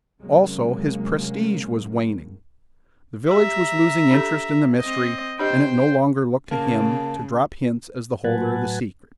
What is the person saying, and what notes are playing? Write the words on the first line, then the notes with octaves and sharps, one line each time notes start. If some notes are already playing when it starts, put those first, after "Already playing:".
Also, his prestige was waning. The village was losing interest in the mystery, and it no longer looked to him to drop hints as the holder of the secret.
C3 F#3 G#3 A#3 C#4
G4 E5 A#5
D4 G4 A4
C4 D#5
D4 G4 C5 D#5 G5
C#3 A#3 A5
A2 F#3 B4 F#5 G#5 A5